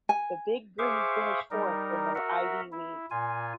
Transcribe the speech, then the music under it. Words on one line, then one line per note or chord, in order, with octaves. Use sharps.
The Big Green finished fourth in the Ivy League.
G#5
G#4 C5 E5 F5 C#6 D6
G3 D#4 A#4
F#4 A#4 E5 F#5
E4
A#2 F4 G#5